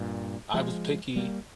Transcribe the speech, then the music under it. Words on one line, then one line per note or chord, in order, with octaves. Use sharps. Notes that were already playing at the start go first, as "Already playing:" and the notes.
I was picky,
Already playing: G2 A#2
F3 G#3
G3 A#3